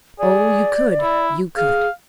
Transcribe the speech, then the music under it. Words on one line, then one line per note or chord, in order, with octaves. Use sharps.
"Oh, you could--you could."
G#4 D5
E4
G#4 F5